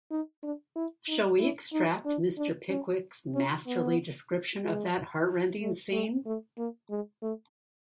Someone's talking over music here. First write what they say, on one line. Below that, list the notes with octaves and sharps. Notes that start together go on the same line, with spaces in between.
Shall we extract Mr. Pickwick’s masterly description of that heartrending scene?
D#4
D4
E4
D#4
E4
D#4
D4
D4
C#4
C#4
B3
G#3
A3
A3
A3
A#3
G#3
A3